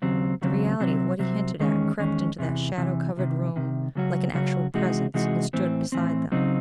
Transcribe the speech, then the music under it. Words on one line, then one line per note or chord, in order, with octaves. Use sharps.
The reality of what he hinted at crept into that shadow-covered room like an actual Presence and stood beside them.
D#2 C#3 F#3 C4
D#2 C#3 F#3 C4
C2 C3 F#3 C4
C2 C3 F#3 C4
E2 D#3 G#3 C#4
E2 D#3 G#3 C#4
E2 C3 E3
E2 C3 E3
C2 C3 D#3
C2 C3 D#3
C#2 C#3 F#3 C#4 F#4
C#2 C#3 F#3 C#4 F#4
C3 E3 G#3 D#4 F#4
C3 E3 G#3 D#4 F#4
A2 E3 C4
A2 E3 C4
C#2 C#3 F#3 C4 D#4